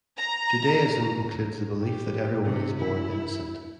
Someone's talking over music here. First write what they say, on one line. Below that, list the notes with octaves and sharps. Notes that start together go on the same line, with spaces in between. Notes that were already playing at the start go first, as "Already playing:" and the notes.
Judaism includes the belief that everyone is born innocent.
A#5
G4
C3
E4